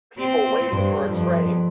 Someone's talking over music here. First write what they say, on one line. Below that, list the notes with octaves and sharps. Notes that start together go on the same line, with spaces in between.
People waiting for a train.
C4
G2
F2